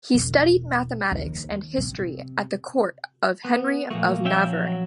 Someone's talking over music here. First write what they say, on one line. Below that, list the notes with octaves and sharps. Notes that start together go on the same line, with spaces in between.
He studied mathematics and history at the court of Henry of Navarre.
E1
D#2
C3
B3 F#6
A#2 F3 A3 A#3 F#4
C#4 E5 G5
F#3